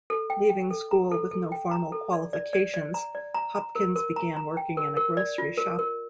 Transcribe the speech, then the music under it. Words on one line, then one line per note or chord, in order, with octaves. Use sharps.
Leaving school with no formal qualifications, Hopkins began working in a grocery shop.
A4
G5
G5
A4
A#5
A4
A4
G5
A#5
A4
D5
D5
D5
D5
A#5
D5
A#5
A#5
A#4
A#4
A#5
A#5
G5
A#4
A#4
D5
F4
A#4
A#4